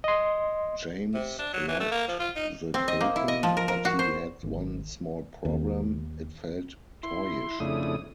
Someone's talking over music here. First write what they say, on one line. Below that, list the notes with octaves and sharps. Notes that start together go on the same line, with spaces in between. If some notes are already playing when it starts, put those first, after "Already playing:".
James loved the Copen, but he had one small problem: it felt "toy-ish".
D#5 C6
C3
D4
F#3
E3
A3
A#3
F3
F4
D#4
C4
D#5
A#3
E4
D#5
F3
A#4
A#4
F#4
C5
G#1
D#2
E4 C6
F2 C#3 A3 D4 E4 D#6